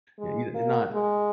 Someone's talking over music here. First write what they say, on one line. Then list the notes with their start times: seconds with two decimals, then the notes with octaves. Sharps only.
you you're not
0.18 G#3
0.54 A#3
0.93 G#3